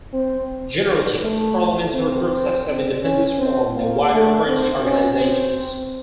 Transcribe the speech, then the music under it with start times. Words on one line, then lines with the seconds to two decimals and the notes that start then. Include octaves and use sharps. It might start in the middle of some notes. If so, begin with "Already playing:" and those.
Generally, parliamentary groups have some independence from the wider party organisations.
0.13 C4
1.22 A3
1.94 C4
3.02 C#4
3.39 C4
3.75 A#3
4.11 A3
4.47 C4
4.83 C#4
5.19 C4